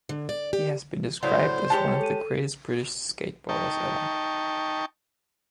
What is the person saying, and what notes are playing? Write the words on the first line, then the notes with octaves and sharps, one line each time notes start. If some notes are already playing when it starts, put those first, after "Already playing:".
He has been described as one of the greatest British skateboarders ever.
D3
D5
G4
A2 C#3 F#3 C5 D5
G#3 G4 C#5 A5
A4 D#7
D#4 G5 A5 C#6